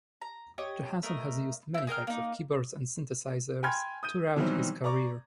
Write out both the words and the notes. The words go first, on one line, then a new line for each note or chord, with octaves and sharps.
Johansson has used many types of keyboards and synthesizers throughout his career.
A#5
G4 C#5 D#5
A3 A#4 D#5
E4 G6
G#4 A#4 G5 F6
A#3 D#4
G5 G#5 B5 C6 F6 G#6
D#6 G6 D#7
B2 D#3 E3 F#3 G3 C4
D5 A#5 C#6 D6